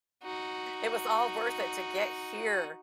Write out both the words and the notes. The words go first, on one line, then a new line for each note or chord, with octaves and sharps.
It was all worth it to get here.
D#4 F#4